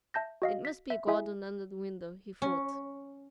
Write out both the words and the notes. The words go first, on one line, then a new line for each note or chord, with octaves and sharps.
"It must be a garden under the window," he thought.
E5 A5 G6 A#6
F#4 D#5 F5
B6
E5
E4 G#4 E5 G#5
C#4